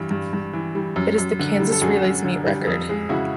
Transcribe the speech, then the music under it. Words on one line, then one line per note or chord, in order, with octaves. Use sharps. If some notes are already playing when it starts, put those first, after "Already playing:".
It is the Kansas Relays meet record.
Already playing: G2 E3 G3
G2
G2
E3
G3
F#2
F#2
D3
G3
A4
F#2 F#4 G#4
F#2
D3
G3
F2
G#3
C#3 E4 F#4